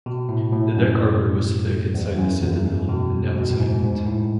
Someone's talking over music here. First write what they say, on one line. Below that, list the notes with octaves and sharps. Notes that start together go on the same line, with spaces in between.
The deck armor was thick inside the citadel and outside it.
B2
A2
A2
F#2
E2
E2
F#2
E2
G#2
B2
B2
A2
G#2
G#2
A2